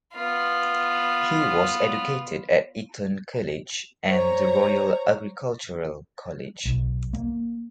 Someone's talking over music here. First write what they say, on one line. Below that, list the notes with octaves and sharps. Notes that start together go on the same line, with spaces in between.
He was educated at Eton College and the Royal Agricultural College.
B3 F4
C5 C#5 A#5
B1
A#3